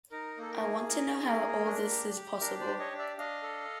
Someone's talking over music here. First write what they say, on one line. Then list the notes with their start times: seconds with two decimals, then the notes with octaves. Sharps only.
I want to know how all this is possible.
0.11 D#4 A#4
0.38 A#3 A4
0.50 A#4
0.62 G#4
0.88 D#4 A#4
1.14 G#4
1.26 A#4
1.39 A#3
1.65 D4
1.90 G4
2.16 G4
2.41 D4 A#4
2.60 C5 D5
2.67 G4
2.79 C#5 D#5
2.92 D4
2.99 D5 E5
3.18 D4 D#5 F5
3.43 A4